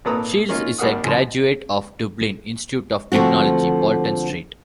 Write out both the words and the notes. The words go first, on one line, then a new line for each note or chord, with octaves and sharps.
Shields is a graduate of Dublin Institute of Technology - Bolton Street.
G#1 A#2 A4 B4 A#5 D#6
A#3 C#4 D#4 F4
G#1 G3 A#3 F5 F#5 D#6
C#2 F3 B5 C6
D3 F3 A3 C4 F#4